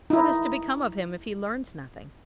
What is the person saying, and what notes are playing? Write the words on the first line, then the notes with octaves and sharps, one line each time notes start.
"What is to become of him if he learns nothing?"
D#4 E4